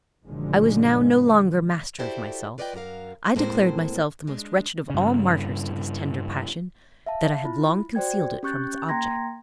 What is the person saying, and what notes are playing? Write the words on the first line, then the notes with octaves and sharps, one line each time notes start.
I was now no longer master of myself; I declared myself the most wretched of all martyrs to this tender passion; that I had long concealed it from its object.
F#1 A#2 D3 D#3 F3 G#3
E4 F#4 G4 A4 C5 D5
F4 B4 D5 D#5 F5 G5
F#2 F#4 G4 A#4 F5
A2 G#3 A#3 C4 A4 C5
G#3 D4
G2 C#3
E5 F5 A5
E4 F4 B5
F#4 C5 D5 G5 G#6
C#4 G4 C#6 F#6 G6 A6
A#3 G5 A#5 C6 G#6 A#6